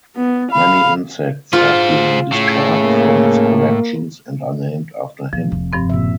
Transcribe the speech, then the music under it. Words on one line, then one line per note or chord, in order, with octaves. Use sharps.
Many insects have been described from his collections and are named after him.
B3
F5 B5
F4 G#4 C5
A2 C#3
A#3
A#2 F3
F1 C3
G2 F3 C4
A#2 C#3 E5